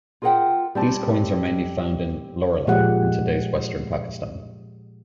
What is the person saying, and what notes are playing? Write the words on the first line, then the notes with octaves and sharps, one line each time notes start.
These coins are mainly found in Loralai in today's western Pakistan.
F4 G#4 A#4 C#5 F#5 G5
G3 C4 A5
A#2 F3 G#3 G4 F#5